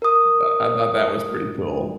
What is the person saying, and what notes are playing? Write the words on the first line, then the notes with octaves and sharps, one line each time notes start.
Uh, I thought that was pretty cool.
A#4 D#6